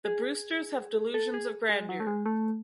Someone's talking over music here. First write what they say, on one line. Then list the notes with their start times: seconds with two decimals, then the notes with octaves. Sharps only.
The Brewsters have delusions of grandeur.
0.05 G#4
1.14 A4
1.34 G#4
1.69 G#3
1.89 F#3
2.00 A3
2.07 G#3
2.26 A3